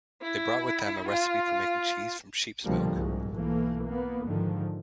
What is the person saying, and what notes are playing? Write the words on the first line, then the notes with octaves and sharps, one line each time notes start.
They brought with them a recipe for making cheese from sheep's milk.
E4
F4
C2 B2 D3 F3 G3 A#3
C2 G#2
B1 E3 A3 A#3
A#3 B3
G#2 D3 D#3 F3